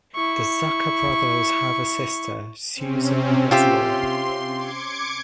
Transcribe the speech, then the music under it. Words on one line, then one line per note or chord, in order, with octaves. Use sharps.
The Zucker brothers have a sister, Susan Breslau.
E4 C#6
C3 C4 C#4
F4 G4 E5 C6
D6 G#6 C#7